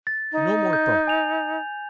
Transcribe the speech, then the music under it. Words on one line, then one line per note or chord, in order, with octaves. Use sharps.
No more talk!
A6
D#4
G6
G#5 F7